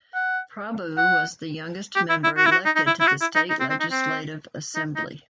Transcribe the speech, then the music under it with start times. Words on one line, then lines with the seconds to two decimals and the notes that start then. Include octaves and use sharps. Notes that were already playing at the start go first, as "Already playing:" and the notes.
Prabhu was the youngest member elected to the State Legislative Assembly.
0.15 F#5
0.98 F#5
1.96 G4
2.10 E4
2.24 E4
2.38 F#4
2.46 E4
2.52 F#4
2.66 D#4
2.76 D#4
2.87 E4
3.00 E4
3.07 F#4
3.21 E4
3.35 D#4
3.50 D#4
3.60 C4
3.70 C4
3.80 D#4
3.92 C4
4.75 D#4
4.96 D#4